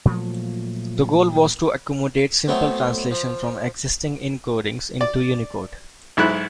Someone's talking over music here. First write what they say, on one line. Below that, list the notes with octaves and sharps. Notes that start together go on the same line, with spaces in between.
The goal was to accommodate simple translation from existing encodings into Unicode.
A#2 F3 F#3 A3
F#3 A3 B3 C4
F3
D5
B1 G#2 E4 F#6